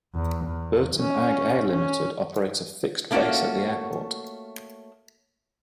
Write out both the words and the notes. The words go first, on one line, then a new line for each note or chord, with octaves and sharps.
Burton Ag Air Limited operates a fixed base at the airport.
E2
E2
C#4
C#4
A3 A#3 C#4 F4 F#4